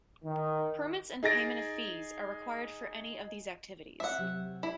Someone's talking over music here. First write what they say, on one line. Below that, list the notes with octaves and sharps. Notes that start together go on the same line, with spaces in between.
Permits and payment of fees are required for any of these activities.
D#3
D#4 G#4 A6 A#6 D7
C4 E5 F#5 G#5
C3 F#3 G4
E4